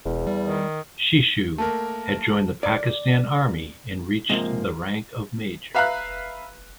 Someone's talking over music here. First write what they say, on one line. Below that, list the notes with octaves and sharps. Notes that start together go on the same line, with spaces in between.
Shishu had joined the Pakistan Army and reached the rank of Major.
E1 E2
G3
D#3
A3 A#3 A#4 A5
D5
G#2 C3 F3 A3 A#3
B4 E5 F5 A#5 B5 F#6